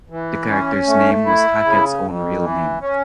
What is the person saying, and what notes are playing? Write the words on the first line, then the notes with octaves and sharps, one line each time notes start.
The character's name was Hackett's own real name.
E3
C#4
A3
E4
C#3
F2
E3
C#4